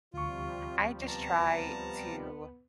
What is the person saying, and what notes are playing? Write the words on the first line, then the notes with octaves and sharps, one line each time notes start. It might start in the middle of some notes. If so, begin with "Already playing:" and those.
I just try to
D2 C3 F3 G3 F4 C#6
B3 A5 A#5